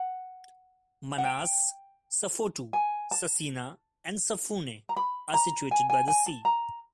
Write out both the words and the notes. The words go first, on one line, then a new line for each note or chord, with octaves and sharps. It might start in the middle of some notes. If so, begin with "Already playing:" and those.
Manase, Safotu, Sasina and Safune are situated by the sea.
Already playing: F#5
F#5
G5
G#5
A5
A#5
B5
A#5
G#5
G#5
G#5
A5
A#5